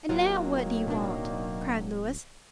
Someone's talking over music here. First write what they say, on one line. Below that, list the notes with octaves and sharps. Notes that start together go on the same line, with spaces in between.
"And now what do you want?" cried Louis.
D1 D#3 F#3 A#3 F4
B2 D4